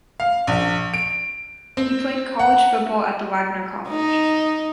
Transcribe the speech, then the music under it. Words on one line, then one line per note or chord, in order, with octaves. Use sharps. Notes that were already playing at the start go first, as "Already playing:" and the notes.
He played college football at the Wagner College.
F5
A#1
D7
C4
F#5
D#4